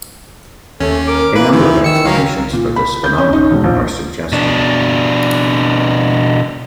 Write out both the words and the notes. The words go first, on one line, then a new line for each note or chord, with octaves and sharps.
A number of explanations for this phenomenon are suggested.
D#2 A3 C#4
A#4 D6
E3 A#3 B4
D#3 F3 E4
D#3 E6 C#7
F#3 C#4 A#4 F5
A#2
B5
G6
C#4
D#4
E1
A#1
B2 D4